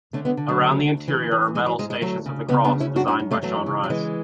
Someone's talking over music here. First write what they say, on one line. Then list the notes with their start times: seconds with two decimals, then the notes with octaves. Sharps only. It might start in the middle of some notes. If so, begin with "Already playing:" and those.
Around the interior are metal Stations of the Cross, designed by Sean Rice.
0.13 D3 A3 C#4
0.25 G#3 B3
0.37 D3
0.48 F#3 A3
0.61 D2
0.84 D2
1.08 E3
1.31 E3
1.55 G#2 G#3
1.66 F#3
1.79 G#2 G#3
1.90 G#3
2.02 D2 F#3 A3
2.26 C#3
2.48 C#3 G#3 B3
2.64 B3 D4
2.73 D2
2.80 C#4 E4
2.96 F#2 D4 F#4
3.08 C#4 E4
3.20 F#2
3.31 A3 C#4
3.43 E3 F#3 A3
3.66 C#3
3.84 F#3
3.90 E3 G#3